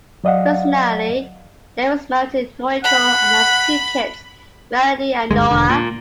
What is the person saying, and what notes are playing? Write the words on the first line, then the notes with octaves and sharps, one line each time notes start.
Personally, David is married to Noriko and has two kids, Melody and Noah.
F#3 D5 D#5 F5 F#5
F#5 B5
G1 D2 G#3
E1 D3
A#2